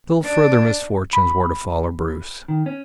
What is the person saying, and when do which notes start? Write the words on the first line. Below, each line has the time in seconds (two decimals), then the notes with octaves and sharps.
Still further misfortunes were to follow Bruce.
0.23 D4
1.13 B5
2.48 D#3
2.66 C#4